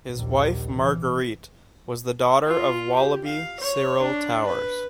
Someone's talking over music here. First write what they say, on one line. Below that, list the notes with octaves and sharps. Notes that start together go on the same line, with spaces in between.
His wife Margariete was the daughter of Wallaby Cyril Towers.
A#1 D#2
E3
F4
G4
F5
C#5
D4
B4